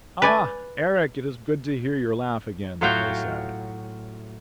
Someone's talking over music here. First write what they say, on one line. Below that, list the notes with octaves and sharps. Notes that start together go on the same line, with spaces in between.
"Ah! Eric, it is good to hear your laugh again," they said.
B4 D5 G#5
A2 F#3 F4 F#4 F5 G5